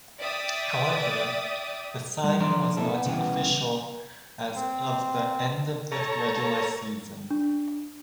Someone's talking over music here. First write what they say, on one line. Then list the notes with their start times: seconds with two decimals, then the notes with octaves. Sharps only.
However, the signing was not official as of the end of the regular season.
0.20 D5 E5 G5 D6 D#6 A6
2.24 G3
2.41 D3 F3 D4 D5 A#5 C6
2.77 B1 A#3 C4 E4 A4
2.89 B3
3.06 C2 C#3 E3 B3 F#5 G5
4.56 C4
5.92 A4 C#5 A#5
7.31 D4